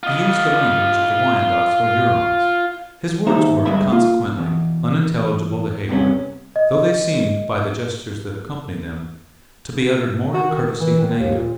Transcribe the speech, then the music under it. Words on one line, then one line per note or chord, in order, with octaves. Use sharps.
He used the language of the Wyandots, or Hurons; his words were, consequently, unintelligible to Heyward, though they seemed, by the gestures that accompanied them, to be uttered more in courtesy than anger.
F4 D#5
D#2 B2 D#4 C5 E5 A#5
G2 D3 G#3 B4 E5 B5
A#3 F4
E2 B2
G2 C3 B3 C#4
D#5
F#4
D#3
E3
D#3
D#2
A#2